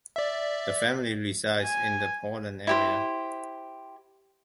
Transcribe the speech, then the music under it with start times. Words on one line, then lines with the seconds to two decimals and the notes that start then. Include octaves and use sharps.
The family resides in the Portland area.
0.16 D5 E5
1.62 G#5
2.67 E4 G4 C5